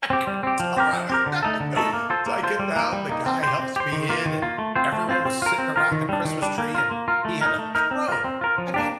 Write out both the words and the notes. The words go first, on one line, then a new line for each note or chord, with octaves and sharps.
I couldn't tell where I was stepping, so I get down, the guy helps me in, and everyone was sitting around the Christmas tree, and he had a throne. I mean,
C4 G4
G3
C4 G4
F3
C4 G4 A#4
F3
C4 G4 A#4
D3
A3 D#4 A4
D3
A3 D#4 A4
A#3
F4 A4 C5
A#3
F4 A4 C5
G3
A#3 D#4
G3
A#3 D#4
C4
G4 C5
C4
G4 C5
D#3
A#3 F4
D#3
A#3 F4
A3
C4 F4 C5
A3
C4 F4 C5
C4
F4 A#4
C4
F4 A#4
D#3
G3 D4
D#3
G3 D4
A#3
F4 A#4
A#3
F4 A#4
A3
D#4 A#4
A3
D#4 A#4
C4
F4 A#4
C4
F4 A#4
F3
A#3 D4 G4